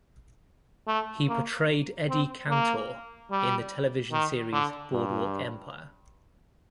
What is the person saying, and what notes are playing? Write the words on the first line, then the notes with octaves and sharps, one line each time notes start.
He portrayed Eddie Cantor in the television series "Boardwalk Empire".
A3
A#3
C4
A#3
G3
D#3
D3
G2